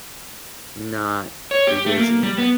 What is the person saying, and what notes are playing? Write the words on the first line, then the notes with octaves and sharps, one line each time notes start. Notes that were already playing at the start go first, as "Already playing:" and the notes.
not be busy,
C#5
G4
A3
A#3
G3
B3